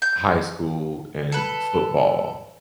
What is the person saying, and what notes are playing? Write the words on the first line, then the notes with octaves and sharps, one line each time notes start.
high school and football,
G6
A4 B4